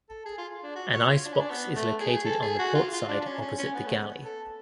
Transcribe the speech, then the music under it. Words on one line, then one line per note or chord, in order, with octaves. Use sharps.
An ice box is located on the port side opposite the galley.
A4
G#4
F4
D4
F#4
C#5
F4
D4
C#4
D4
B3
A3
G#4
A4
G#4
F#4
F4
F4
D4
D4
C#4
C#4
C#4
B3
A3
B3
A4